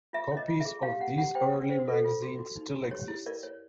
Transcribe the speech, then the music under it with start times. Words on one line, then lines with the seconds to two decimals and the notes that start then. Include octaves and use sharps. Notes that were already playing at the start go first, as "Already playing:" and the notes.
Copies of these early magazine still exists.
0.13 F4 E5
0.31 C#5
0.37 D#5
0.48 F4
0.61 G#4 E5
0.83 G4 F5
1.00 C#4 F#5
1.18 G4 F#5
1.35 C5 G5
1.53 C#4
1.70 C5
1.88 A4
2.04 F4
2.22 F#4
2.39 F#4
2.56 D#4
2.74 F#4
2.91 G4 C#5
3.08 E4
3.26 A#4 D5
3.43 C#5